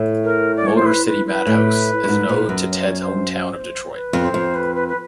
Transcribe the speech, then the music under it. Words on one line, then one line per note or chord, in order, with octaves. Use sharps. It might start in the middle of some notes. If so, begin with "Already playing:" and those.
"Motor City Madhouse" is an ode to Ted's hometown of Detroit.
Already playing: A2
A#4
D5
C#5
C5
B4
B4
B4
A2
G2
G#2
A#2
F#2
C#5
C5
C#5
C5
C5
B4
F2
C5
F2
B4
B4
B4